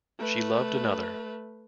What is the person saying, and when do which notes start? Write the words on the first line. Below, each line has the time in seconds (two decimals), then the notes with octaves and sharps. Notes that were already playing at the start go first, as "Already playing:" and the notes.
She loved another.
0.19 A3 B4